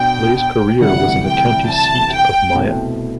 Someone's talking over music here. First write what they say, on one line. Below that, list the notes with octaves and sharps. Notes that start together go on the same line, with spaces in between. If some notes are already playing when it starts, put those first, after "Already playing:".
Lay's career was in the county seat of Maya.
Already playing: B2 D4 G5
G5
D2 C3 E3 G3 F#5
G5
A5
G5
C2 B2 A3 C4